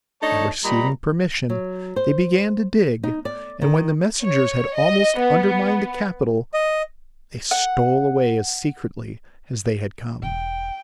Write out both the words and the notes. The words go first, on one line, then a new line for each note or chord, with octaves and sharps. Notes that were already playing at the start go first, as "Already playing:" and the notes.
And receiving permission they began to dig, and when the messengers had almost undermined the Capitol they stole away as secretly as they had come.
A3 D4 D#4 C#5 A5
A#2 G3 D#5 A#5 B5
F#3
C5
D#4
D5
D#3
C#5
D#5
B3
D#5
F#5
E1 G5